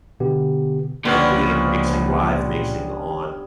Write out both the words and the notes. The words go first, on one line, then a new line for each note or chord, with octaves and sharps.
you know, doing it, mixing live mixing on,
B2 D3 B3 G4
C#2 A#2 D3 F3 G3 B3 C#4